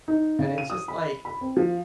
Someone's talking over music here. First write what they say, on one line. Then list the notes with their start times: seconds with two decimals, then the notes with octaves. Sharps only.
and it's just like
0.08 D#4
0.39 C#3
0.58 D#7
0.70 D#6
0.88 B5
1.25 B5
1.41 C4
1.57 F3